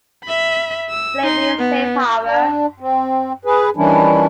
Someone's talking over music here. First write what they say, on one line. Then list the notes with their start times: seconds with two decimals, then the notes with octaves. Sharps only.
"Slavery Safe Harbor".
0.24 E5 B5
0.90 E6
1.23 D#4 C6
1.59 B3
2.25 D4
2.80 C4
3.45 G#4 B4
3.77 D#3 E3 G3 C#4 D4 E4